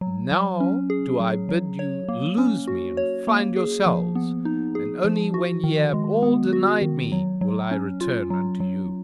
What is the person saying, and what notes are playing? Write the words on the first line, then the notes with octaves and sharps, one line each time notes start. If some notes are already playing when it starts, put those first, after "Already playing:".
Now do I bid you lose me and find yourselves; and only when ye have all denied me, will I return unto you.
F#3
F#3
C#4
G#4
F#3
F#3
C#5
A#3
C#4
F#4
C#5
A#3
G#4
F3
B3
D#4
G#4
F3
F#4
D#3
G#3
B3
F#4
D#3
F#3
F#3
C#4
F4
F#3
F#3